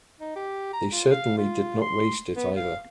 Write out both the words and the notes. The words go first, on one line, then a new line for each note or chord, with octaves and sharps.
They certainly did not waste it either.
D#4
G4
A#5
F4
F5
F4
C6
B3
F5